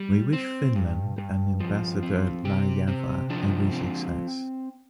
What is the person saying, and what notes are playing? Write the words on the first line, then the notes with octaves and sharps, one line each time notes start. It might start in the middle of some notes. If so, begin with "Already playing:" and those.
We wish Finland and ambassador Laajava every success.
Already playing: G3 G4
C4
G2
G2
F3
C4
C3 G4
C3 C4
F3 D4
C4